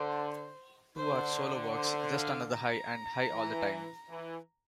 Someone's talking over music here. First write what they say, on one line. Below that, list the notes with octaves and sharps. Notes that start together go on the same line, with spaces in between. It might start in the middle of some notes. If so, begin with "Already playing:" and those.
Two are solo works: "Just Another High" and "High All The Time".
Already playing: D3 C5
D3 C5
C5
F5
A#5
E3
E3